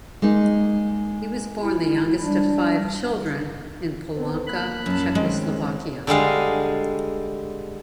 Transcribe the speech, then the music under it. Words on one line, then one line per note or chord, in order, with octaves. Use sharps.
He was born the youngest of five children in Polanka, Czechoslovakia.
G#3 A#3 D#4
E4
G3 D4
B3 C4
A#3 B5 F#6
F#2 A5
D#3 G#3 C4 C#4
D3 G3 G#3 F5